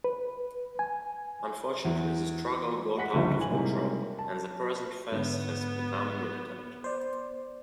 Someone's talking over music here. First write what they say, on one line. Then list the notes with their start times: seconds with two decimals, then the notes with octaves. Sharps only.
Unfortunately, the struggle got out of control, and the present phase has become militant.
0.04 B4
0.79 G#5
1.85 E2
2.97 G#3 F#5 B6
3.14 F#1 C#2 D3 F3 G3 E5
3.38 A2 E3 G#5 F#7
3.51 C3 G3 G#3 A#3 D#4 E4
4.19 A5
5.12 G#2 D3 B3
6.84 C5 D5